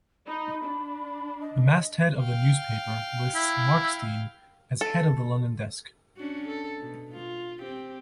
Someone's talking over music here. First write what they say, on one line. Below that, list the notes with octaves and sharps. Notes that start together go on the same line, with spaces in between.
The masthead of the newspaper lists Markstein as head of the London desk.
D#4 B5
D4
D#5
F5 G5
E4
A4
C#4 D4 F#4
A4
B2
F4
C4 G4